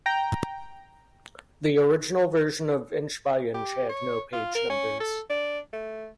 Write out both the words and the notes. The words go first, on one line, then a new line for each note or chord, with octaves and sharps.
The original version of "Inch by Inch" had no page numbers.
G5 A#5
G4
C#5
F4
A#4
C#4
A4
D4
A3